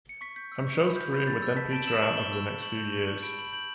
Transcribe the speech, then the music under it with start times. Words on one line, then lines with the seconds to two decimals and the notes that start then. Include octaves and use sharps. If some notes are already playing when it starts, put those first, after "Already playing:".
Hamsho's career would then peter out over the next few years.
0.09 C#7
0.21 C#6 B6
0.36 G6 B6
0.52 E6
0.67 C#6
0.82 B5
0.96 G6
1.12 B5
1.18 G6
1.27 B5 A6
1.42 E6 A6
1.56 A5 B6
1.72 A5 D7
1.82 F#7
1.87 E6 E7
2.02 C#6 F#7
2.17 C#6 G7
2.33 E6
2.48 C#6
2.62 C#6 F#7
2.77 G6
2.92 C#6 F#7
3.07 C#6
3.23 B5 D7
3.39 B5 F#7
3.53 G6 F#7